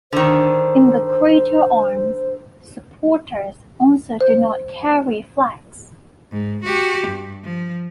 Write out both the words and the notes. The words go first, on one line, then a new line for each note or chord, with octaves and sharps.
In the greater arms, the supporters also do not carry flags.
D3 D#3 C5
C5
G#2
F#4 G4
G2
F3